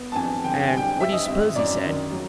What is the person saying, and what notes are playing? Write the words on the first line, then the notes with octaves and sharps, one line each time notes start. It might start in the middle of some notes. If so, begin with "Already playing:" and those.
And what do you suppose he said?
Already playing: B3
A5
F2 G#5
D3 G5
G#5
G5
G3 G#5
G5
G3 E5
D#5
G#1 E5
F#2 D5
D#3
F#3